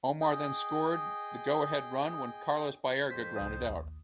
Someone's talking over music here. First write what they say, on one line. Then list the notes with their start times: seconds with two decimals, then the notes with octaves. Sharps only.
Omar then scored the go-ahead run when Carlos Baerga grounded out.
0.21 G#4 D#5 G5
3.10 F2 C5 B6
3.36 C2 D#6
3.61 A#1 D#2 A#2